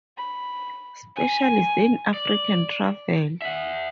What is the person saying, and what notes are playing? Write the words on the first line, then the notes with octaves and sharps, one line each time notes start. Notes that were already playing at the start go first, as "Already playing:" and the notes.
Specialist in African Travel.
B5
G#5
D5
E5 F#5